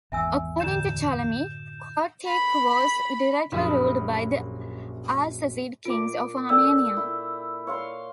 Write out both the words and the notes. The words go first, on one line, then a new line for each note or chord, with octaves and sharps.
According to Ptolemy, Kotayk was directly ruled by the Arsacid kings of Armenia.
G#1 E2 E5 G#5 E6
F#2 A2 D3 G6 E7
B5
A#1 F#2 G4 B5 D#6 E7
A#2 F4 D6 D7
A4 D5 G5 E6
E4
C#5 F5 C6